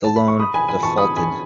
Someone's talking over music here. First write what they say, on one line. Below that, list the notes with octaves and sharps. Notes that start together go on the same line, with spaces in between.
The loan defaulted.
A5
B5
C#6
B5 D#6
G#5 B5
G#5 B5
A5 C#6
B5 D#6
G#5 B5